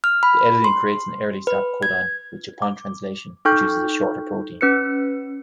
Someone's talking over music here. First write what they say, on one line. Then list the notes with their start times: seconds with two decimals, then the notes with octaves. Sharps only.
The editing creates an early stop codon, which, upon translation, produces a shorter protein.
0.04 F6
0.23 B5
0.64 C6
1.47 B4
1.83 G#6
2.62 D6
3.45 D#4 A4 G5 C#6 F6 G6
4.61 C#4 B4 F#6 C#7